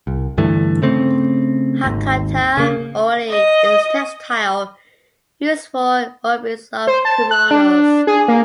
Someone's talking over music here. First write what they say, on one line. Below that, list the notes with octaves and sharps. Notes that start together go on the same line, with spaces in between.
Hakata ori is a textile used for obis of kimonos.
C2
G2 D3 E3 A3
C#3 A3 C4
G#1 D#2
C#3 A#3
D#5
C5
A5
F#6
D4
G#4
A#3